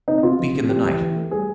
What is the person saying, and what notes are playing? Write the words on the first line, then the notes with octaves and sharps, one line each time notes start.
Speak in the night.
C3 D#4
C3 F4
F3
C3
C#3 G4
E3
E3
A3
G3 G#4